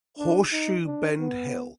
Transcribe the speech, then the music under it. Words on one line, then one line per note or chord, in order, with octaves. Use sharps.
Horseshoe Bend Hill.
D4
D#4
D4
B3